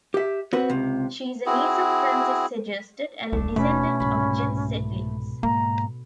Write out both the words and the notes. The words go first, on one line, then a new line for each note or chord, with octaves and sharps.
She is a niece of Francis Sejersted and a descendant of Jens Zetlitz.
G4 E5
C4 F#4 B4
C#2 C3
C4 E4 F#4 G#4
D#1 C2 A3 D4
B2 A3 C#4 B5
C2 G#2 B5
G#2 A#3 A#5